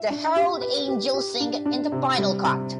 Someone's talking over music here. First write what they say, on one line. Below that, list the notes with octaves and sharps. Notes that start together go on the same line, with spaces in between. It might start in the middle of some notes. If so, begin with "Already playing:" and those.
The Herald Angels Sing in the final cut.
Already playing: E5
D4
G4
B4
G4
G4
D4
D4
C3
G3
C3